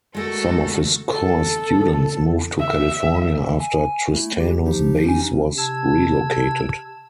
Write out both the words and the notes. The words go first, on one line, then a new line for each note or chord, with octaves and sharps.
Some of his core students moved to California after Tristano's base was relocated.
G#3 A3 F#4 A4 A#4
A4
E5
G#5
A3 E4
G4
F3 D#4 G4
C#4 D#4 G#5
C3 A5 E6 G#6